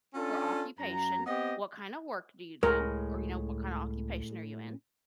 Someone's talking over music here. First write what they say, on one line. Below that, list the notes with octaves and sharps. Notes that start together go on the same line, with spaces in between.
for occupation, "What kind of work do you do?" Or, you know, "What kind of occupation are you in?"
C#4 D4 F4 A4
F#2 A#5
B3 C4 G4 D#5
C#2 A2 G#3 A#4